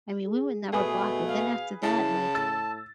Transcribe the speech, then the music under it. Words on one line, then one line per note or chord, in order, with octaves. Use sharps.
I mean, we would never block it. Then after that, like,
G#4
B2 A3 G#4 B4 D#6
F5
C#3 E4 A5
A2 E6 A6